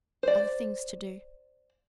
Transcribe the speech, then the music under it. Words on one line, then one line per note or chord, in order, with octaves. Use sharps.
'Other things to do.'
C5 D5